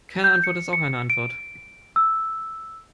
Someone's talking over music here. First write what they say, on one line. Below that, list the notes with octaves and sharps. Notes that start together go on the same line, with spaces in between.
Keine Antwort ist auch eine Antwort.
G6
C#7
C#7
D7
E6